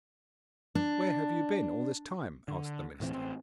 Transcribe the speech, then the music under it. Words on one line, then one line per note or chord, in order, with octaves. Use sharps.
'Where have you been all this time?' asked the minister.
D4
D3
D1 A2 E3 C4
A1 C4